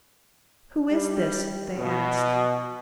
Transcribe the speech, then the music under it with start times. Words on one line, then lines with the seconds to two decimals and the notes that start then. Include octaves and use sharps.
"Who is this?" they asked.
0.91 G3
1.77 B2